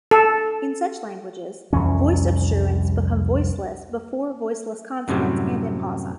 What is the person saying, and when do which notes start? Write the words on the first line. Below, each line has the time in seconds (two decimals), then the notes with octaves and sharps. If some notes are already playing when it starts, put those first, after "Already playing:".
In such languages, voiced obstruents become voiceless before voiceless consonants and in pausa.
0.11 A4
1.73 C2 F2 E3 C#4
5.08 F#2 A2 C3 F#3 G3